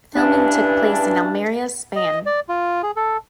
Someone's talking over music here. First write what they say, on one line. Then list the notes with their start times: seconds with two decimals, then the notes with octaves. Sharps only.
Filming took place in Almeria, Spain.
0.15 G2 E3 C#4 D4
1.96 D#5
2.26 D5
2.49 F4
2.83 G#4
2.96 A4